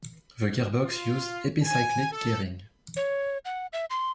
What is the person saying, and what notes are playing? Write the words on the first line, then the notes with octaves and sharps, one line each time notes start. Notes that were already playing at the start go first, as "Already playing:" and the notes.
The gearbox used epicyclic gearing.
F4
G#5
A4
C#5
F#5
E5
C6